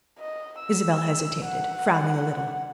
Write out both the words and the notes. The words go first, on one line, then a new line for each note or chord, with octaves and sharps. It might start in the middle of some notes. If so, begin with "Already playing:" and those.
Isabel hesitated, frowning a little.
D#5
E6
F#5